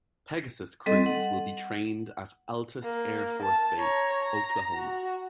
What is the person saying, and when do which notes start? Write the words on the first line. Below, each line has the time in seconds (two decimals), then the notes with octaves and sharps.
Pegasus crews will be trained at Altus Air Force Base, Oklahoma.
0.86 G3 C4 A4 D#5
1.06 F#5
2.83 A#3
3.42 A5
3.78 C#5 A#5
4.23 A#5
4.75 F#4